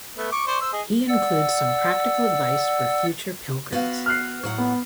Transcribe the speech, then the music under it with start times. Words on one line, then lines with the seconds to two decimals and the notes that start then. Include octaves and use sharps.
He includes some practical advice for future pilgrims.
0.17 A3 B3
0.32 C#6 D6
0.47 C5 D5 C#6
0.61 C5 E6
0.73 G#4 D#5
1.09 D5 F#5 E6
3.73 B3 F#4 F5
4.06 F6 F#6 C7
4.44 A2 F#3 F#5
4.58 B3